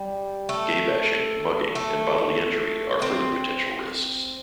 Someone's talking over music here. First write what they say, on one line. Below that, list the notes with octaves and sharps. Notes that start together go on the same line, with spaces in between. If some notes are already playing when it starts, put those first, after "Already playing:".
Gay bashing, mugging, and bodily injury are further potential risks.
Already playing: G3
A3
A3
C4